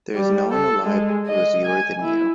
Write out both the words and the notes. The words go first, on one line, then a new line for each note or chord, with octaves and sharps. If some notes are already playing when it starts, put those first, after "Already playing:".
There is no one alive who is youer than you.
G3
A4
G#3
D#5
G#5
E4